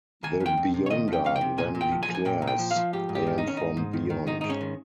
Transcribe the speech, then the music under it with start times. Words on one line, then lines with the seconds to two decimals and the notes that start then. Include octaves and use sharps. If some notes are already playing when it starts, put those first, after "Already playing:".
The Beyonder then declares: I am from beyond!
0.23 D#3 G#5
0.40 F2
0.46 G5
0.57 F2
0.74 C3
0.86 C#5
0.90 D#3 D#5
1.08 F2 G5
1.24 F2 F5
1.36 G5
1.41 C3
1.58 A#2 G#5
1.75 A#2
1.81 G5
1.92 F3
2.03 G#5
2.09 F3
2.15 G#5
2.25 A#2 G5
2.42 A#2
2.47 G5
2.59 F3
2.71 F5
2.76 F3
2.93 G#2 G4
3.09 G#2
3.15 G4
3.27 D#3
3.38 D#4
3.43 D#3 C#4
3.57 G#2 D#4
3.77 G#2
3.93 D#3
4.10 D#3
4.27 G#2 D#4
4.41 G#2 D#4
4.50 C#4
4.61 D#3